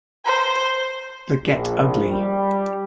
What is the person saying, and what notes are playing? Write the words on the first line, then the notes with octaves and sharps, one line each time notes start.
The Get Ugly!
C5
A#1
G3